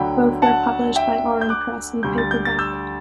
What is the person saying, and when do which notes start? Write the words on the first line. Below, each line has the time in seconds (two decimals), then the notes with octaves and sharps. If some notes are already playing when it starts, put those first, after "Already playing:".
Both were published by Aurum Press in paperback.
Already playing: D2 D3 F#3 G5 B5
0.42 F#5 A5
0.96 E5 G5
1.41 G6
1.49 D6 F#6
2.03 D2 D3 G3 G6
2.18 A6
2.31 G6
2.45 A6
2.59 E6 G6